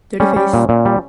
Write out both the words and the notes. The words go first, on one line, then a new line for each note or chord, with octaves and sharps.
Dirty Face!
G3 C#4
G3
A#2
A#2
G3